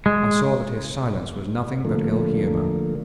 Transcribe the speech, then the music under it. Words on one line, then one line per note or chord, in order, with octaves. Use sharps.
I saw that his silence was nothing but ill-humour.
G#3
D3 F3 A3 A#3